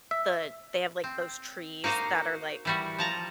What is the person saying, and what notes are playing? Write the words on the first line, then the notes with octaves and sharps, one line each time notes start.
the they have, like, those trees that are, like
E5
C4
A#3 D#4 F#4 C5 F5
E3 G3 F#4
F3 A5 A#5